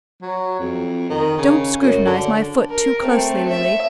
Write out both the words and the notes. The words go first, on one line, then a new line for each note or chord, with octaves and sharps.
"Don't scrutinize my foot too closely, Lily."
F#3
F2
D#3
C#3
F#2
D3
A#4
A3 C4
E5